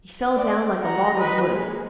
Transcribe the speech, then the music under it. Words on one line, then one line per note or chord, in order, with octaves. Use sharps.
He fell down like a log of wood.
D5
F#5 A#5
B4 D#5
G#3 A#3